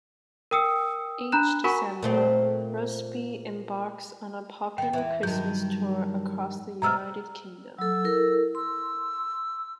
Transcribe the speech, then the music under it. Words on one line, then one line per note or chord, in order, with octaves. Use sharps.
Each December, Rusby embarks on a popular Christmas tour across the United Kingdom.
A#4 G5 D#6 E6 C#7
D4 A#5 B5 F#6 E7
F#4 A#4 F#5 G#5 B5 C#6
A#2 A3 C4
D#3 B3 G5
E2 E3
G2 D#3 F#3 G6
C3 G#3 B3 A#5 E6 F6
F#3 A4 E6
E4 A4 A#4
C6 E6